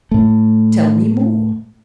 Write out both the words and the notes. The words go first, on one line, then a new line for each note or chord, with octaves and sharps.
Tell me more.
A2 A3